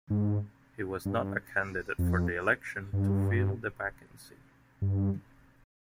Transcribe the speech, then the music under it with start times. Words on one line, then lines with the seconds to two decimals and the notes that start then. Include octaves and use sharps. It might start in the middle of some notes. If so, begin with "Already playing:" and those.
He was not a candidate for the election to fill the vacancy.
0.10 G#2
1.05 G2
1.99 F2
2.93 G2
4.82 G2